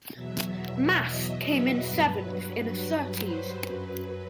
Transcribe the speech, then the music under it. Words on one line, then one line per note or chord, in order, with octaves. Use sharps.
Mass came in seventh in a Surtees.
E2 B2 F#3 E5
D#5
B4
G2 F#3
C5
F#2 F#3 B4
B4